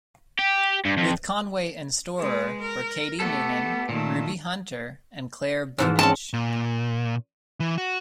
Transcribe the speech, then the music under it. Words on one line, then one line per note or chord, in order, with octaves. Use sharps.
With Conway and Storer were Katie Noonan, Ruby Hunter and Clare Bowditch.
G4
G2
F2
G#3 B4
A#4
A3 B3 G4 A4
A#2 D#3 A3
G#2 E3 F3
G#3 C4 C#4 A5
A#2
E3
F#4